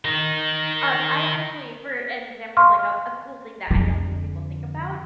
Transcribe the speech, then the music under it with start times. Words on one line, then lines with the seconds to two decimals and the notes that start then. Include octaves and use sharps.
Um, I actually for an example of, like, a a cool thing that I don't think people think about,
0.05 D#3 D#4
2.57 F5 C6 C#6 F6
3.71 F2 D3